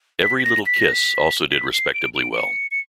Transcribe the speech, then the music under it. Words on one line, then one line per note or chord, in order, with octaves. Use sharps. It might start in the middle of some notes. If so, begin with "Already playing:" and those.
"Every Little Kiss" also did respectably well.
B6
B6
A#6
B6
A#6
B6
B6
C7
D7
D7
D7
C#7
C#7